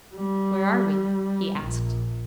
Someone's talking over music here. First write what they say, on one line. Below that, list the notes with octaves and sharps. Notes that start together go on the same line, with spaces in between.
'Where are we?' he asked.
G3
A#1